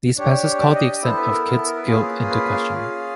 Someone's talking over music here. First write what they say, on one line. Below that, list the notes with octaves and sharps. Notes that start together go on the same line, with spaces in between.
These passes call the extent of Kidd's guilt into question.
D4 G4 C#5
D5
D#5
D5
B3 E4 A4 C5
B4
A#4
A#4
A4
A#4
B4
A#3 C#4 F4 G#4
B4
F5
C#4 F4 G#4